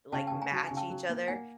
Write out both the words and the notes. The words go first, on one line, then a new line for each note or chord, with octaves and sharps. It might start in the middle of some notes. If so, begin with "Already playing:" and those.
like, match each other.
C#3 G5 A5
C#3 G5 A5
G#5 A#5
F#3 A5
C#3 G#5
G5 A5
F#3
A#3
A#3 F#5 G#5